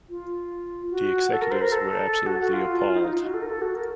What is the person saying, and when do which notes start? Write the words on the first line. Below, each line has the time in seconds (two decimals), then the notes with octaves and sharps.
The executives were absolutely appalled.
0.09 F4
0.91 F#4
1.31 A4
1.41 A#4
1.51 C5
1.62 A#4
1.72 A4
2.12 A4
2.26 F#4
2.39 F#4
2.53 F4
2.94 D#4
2.99 F4
3.04 D#4
3.14 F4
3.24 F#4
3.34 A4
3.42 A#4
3.48 A4
3.62 F#4
3.75 A#4